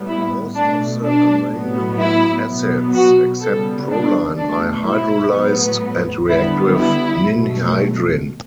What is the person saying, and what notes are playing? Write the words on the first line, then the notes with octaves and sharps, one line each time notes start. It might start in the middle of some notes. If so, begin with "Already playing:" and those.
Most of the amino acids, except proline, are hydrolyzed and react with ninhydrin.
Already playing: A2 G3 B3
E4
B2 A3 D4
D4
A2 F#3 B3
E4
B2 F#3 B3
F#4
C#3 G3 B3 A4
D4
B2 A3 D4
E4
A2 F#3 B3
D3 G3 B3 E4
E4
B2 F#3 A3